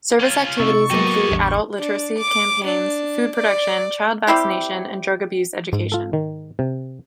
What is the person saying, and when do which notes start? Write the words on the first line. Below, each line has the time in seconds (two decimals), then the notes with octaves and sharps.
Service activities include adult literacy campaigns, food production, child vaccination and drug abuse education.
0.20 C#4 F4
0.60 C3 D#4 C#6 E6 A6
0.90 F#3 A#3 B3 A4 D#5 G5 D6
1.29 A1 E2 D3 G3
1.77 D4
2.19 D6
2.65 D4
3.36 D5
4.27 G3 C4 E4 G4
5.73 G#2
5.92 F4 A4
6.13 D#3
6.59 C3